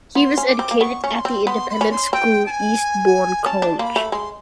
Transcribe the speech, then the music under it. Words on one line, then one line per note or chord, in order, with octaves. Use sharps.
He was educated at the independent school Eastbourne College.
B3 C6
C#4
D6
C4
A#3
B3 C#6
C#4 C#6
C#6
C6
C4
B3 C6
C6
B5
C#4
C6
C4 G5
A5
G#5
C#4 A5
D4
A#3 B5 C6
A3
G#3 C6